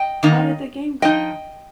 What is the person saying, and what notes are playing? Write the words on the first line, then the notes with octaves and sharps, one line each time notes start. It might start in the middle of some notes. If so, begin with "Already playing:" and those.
How did the game go?
Already playing: D#5 G5
D#3 A#3 D#4
F3 D#4 D#5 G5